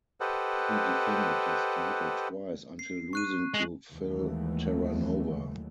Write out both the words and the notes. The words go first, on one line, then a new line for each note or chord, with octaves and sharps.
He defended his title twice until losing to Phil Terranova.
G4 A4 B4 C5 D#5 F#5
C7
C#6 F#6 D#7
G#3
D#2 E3 F#3 G#3 A3